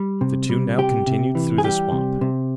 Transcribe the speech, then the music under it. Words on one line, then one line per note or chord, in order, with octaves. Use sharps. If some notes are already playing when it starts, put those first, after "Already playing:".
The two now continued through the swamp.
Already playing: G3
C3
G3
C3 G4
C3
E3
G#4
G3 G4
C3
C3